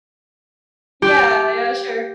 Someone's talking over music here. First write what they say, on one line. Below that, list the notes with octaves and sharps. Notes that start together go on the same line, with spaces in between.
Yeah, yeah, sure.
G4